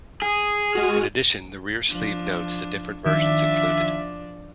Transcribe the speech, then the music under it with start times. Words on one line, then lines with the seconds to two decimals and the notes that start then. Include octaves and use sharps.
In addition, the rear sleeve notes the different versions included.
0.22 G#4
0.73 G#3 F#4 F6
1.90 F3 D4
3.06 D#3 F3 D4 D5 E5